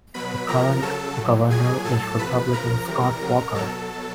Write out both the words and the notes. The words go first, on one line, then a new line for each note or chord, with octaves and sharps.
The current governor is Republican Scott Walker.
B2 F#3 B4 B5
C3 F3 A#4 A#5
C#3 F#3 A4 A5
A2 F#3
A#2 F#3 G#4 G#5
A2 F#3 A4 A5
C3 F3 B4 B5
C#3 F3 A#4 A#5
C3 E3 G3
C#3 F#3
B2 F#3 A4 A5